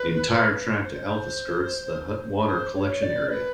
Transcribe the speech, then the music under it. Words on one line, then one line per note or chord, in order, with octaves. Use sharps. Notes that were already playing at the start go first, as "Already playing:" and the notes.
The entire track to Alpha skirts the Hutt Water Collection Area.
Already playing: B4
C5
C5
C#5
D5
B4